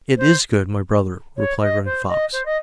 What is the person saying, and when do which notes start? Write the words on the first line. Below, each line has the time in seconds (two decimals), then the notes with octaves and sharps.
"It is good, my brother," replied Running Fox.
0.17 C5
1.37 C#5
1.61 D#5
1.85 C5
2.08 D#5
2.32 C5
2.45 D#5